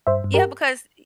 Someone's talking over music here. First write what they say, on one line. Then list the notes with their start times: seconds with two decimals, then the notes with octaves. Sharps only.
Yeah, because y
0.07 G2 C5 E5
0.24 G2
0.34 G4 A#4